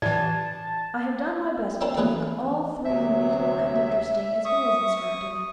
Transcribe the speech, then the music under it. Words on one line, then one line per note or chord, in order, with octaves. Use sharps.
I have done my best to make all three readable and interesting, as well as instructive.
A2 E3 D5 A5
C4 C#4 A4 A#4 D5
A1 F#3 B3 G#4 B4 D5
D2 C3 F#3 E5
C#6 D#6